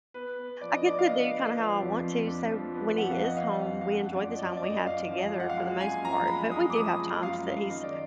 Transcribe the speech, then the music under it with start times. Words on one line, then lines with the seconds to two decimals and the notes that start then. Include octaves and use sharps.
I get to do kinda how I want to, so when he is home, we enjoy the time we have together for the most part, but we do have times that he's
0.14 B3 B4
0.38 B3
0.61 F3 D5
0.74 D#5
0.85 D4 D5
0.99 F5
1.09 B3 D#5
1.32 B3
1.56 F3
1.80 F2
2.04 F2
2.28 D4
2.50 F3
2.74 B3
2.98 F2 F#5
3.11 F5
3.22 F2 D#5
3.37 F5
3.45 F2
3.69 D4
3.81 F5
3.92 F#2 F#5
4.16 F3 D5
4.32 D#5
4.39 F#2 D5
4.57 D5
4.62 F#2 D#5
4.87 F#2 F5
5.10 F3
5.18 D#5
5.34 G#3
5.40 F#5
5.50 F5
5.58 G#3
5.81 F#2 G#5
6.04 F3 A#5
6.27 G#3 B5
6.51 G#3 D#6
6.70 D6
6.76 F3 D#6
6.99 G#3
7.23 F#2 F5
7.46 F#2
7.70 D#3 D#5
7.83 D5